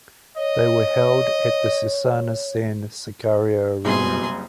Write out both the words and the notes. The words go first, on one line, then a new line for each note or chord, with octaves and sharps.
They were held at the Cesana-San Sicario arena.
C#5 D#5
F#1 C2 B2 G#4 C6